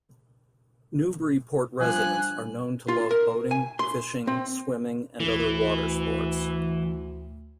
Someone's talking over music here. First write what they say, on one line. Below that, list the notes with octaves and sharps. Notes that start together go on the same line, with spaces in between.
Newburyport residents are known to love boating, fishing, swimming, and other water sports.
F3 G3 D4 G#5 F#6
F4
A#4
G#5
C6
C4
D2 E3